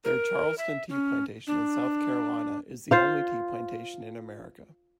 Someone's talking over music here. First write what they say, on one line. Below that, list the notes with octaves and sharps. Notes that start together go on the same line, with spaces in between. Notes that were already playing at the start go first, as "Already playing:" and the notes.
Their Charleston Tea Plantation in South Carolina is the only tea plantation in America.
A#4
E5
C#4
D4
F4 C5 F5